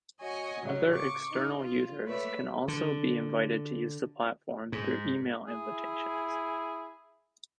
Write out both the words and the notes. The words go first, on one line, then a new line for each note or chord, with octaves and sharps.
Other external users can also be invited to use the platform through email invitations.
F#4 C#5 D#5 G#5
A2 C#3 F#3 C#4
C#6 D6
D#4
F4
A3 B4 C#5 D5 E5
D3
G#2
E4 G#4